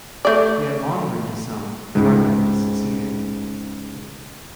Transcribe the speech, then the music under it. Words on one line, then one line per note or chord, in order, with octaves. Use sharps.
He had long groomed his son, Charlie, to succeed him.
A3 D5
C#2 G#2